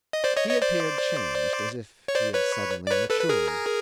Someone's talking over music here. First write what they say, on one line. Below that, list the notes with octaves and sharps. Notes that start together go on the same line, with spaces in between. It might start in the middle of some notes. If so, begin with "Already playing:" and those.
He appeared changed, as if he had suddenly matured.
D#5
C5 D5
C#5 D#5
C#5 D#5
C5 D5
C#5
C5 D5
B4 C#5
D5
B4 C#5
A4 B4
B4
G#4 A#4